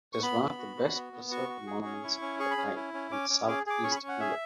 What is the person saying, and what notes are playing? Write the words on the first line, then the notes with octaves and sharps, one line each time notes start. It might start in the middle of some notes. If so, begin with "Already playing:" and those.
It is one of the best-preserved monuments of this type in south east England.
C#6
B3 B5
B3
F#4
F#4
B3
B3
F#4 C#6
F#4
G#4
C#4
E4
C#4
G#4 C#6
B5
C#4
E4
C#4
C#4 D6
C#4
G#4 D6
G#4 D6
C#4 C#6
B5
C#6
C#4
F#5
G#4 E5